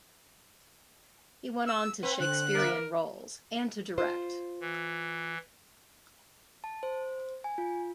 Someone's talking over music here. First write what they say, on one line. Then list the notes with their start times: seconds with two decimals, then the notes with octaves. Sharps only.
He went on to Shakespearean roles, and to direct.
1.66 E6
2.03 C4 B4 F#5
2.20 D3 F#6
2.55 A#3 A#4 E5
3.98 F4 C5
4.60 E3
6.64 A5
6.83 C5
7.44 G#5
7.58 F4